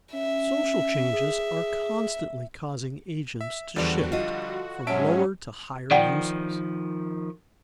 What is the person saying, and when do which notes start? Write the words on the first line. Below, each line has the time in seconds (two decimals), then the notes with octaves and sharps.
Social changes are constantly causing agents to shift from lower to higher uses.
0.13 C#4 E5
1.13 G#4
3.41 E5
3.76 E2 D3 F3 G3 F#4 D5
4.12 F4 A4 D#5
4.87 G#2 F#3 G#3 C#4 E5 A5 D7
5.91 D#3 F3 D5 F#5 G5